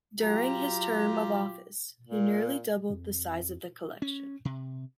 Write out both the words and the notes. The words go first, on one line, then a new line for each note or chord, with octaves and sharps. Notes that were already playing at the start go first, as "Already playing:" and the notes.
During his term of office he nearly doubled the size of the collection.
F#3 F4 G4 A#5
A#2
F2
C#4
C3